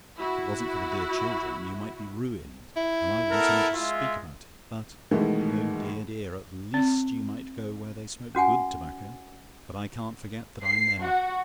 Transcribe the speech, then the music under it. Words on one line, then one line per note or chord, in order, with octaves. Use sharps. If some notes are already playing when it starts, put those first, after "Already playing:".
If it wasn't for the dear children, you might be ruined and I wouldn't so much as speak about it, but--oh, dear, dear! at least you might go where they smoke GOOD tobacco--but I can't forget that I'm their mother.
E4 F#4
E4
B3 A4 A#4
G#3 F4 E5
B2 D#3 E3 G#3 A3
C4
C#4 F#4 F#5 G#5
C7
F#4